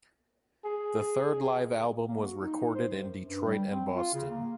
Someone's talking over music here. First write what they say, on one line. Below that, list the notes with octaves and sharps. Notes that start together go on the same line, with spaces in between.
The third live album was recorded in Detroit and Boston.
G#4
A#3
F#4
D#4
C5
F#2
G2
G3
C4
F4
C#3
A#3